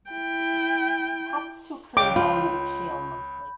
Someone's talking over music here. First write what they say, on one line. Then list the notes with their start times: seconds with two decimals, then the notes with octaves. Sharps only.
It happens to occur in dolomitic shale mostly.
0.11 E4 G5
1.97 C#2 C#4 G5 D6
2.16 F4 B5 G6